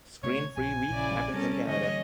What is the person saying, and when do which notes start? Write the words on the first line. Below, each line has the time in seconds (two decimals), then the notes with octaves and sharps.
Screen Free week happens in Canada.
0.23 C3 A3 C#4 C#5
0.57 A#1 F3 G#5
0.90 A#1 C#3 E4 D5
1.34 G3 C#4 A4 A#4
1.67 D3 E3 G3 A#3 C#4 C#5 D#5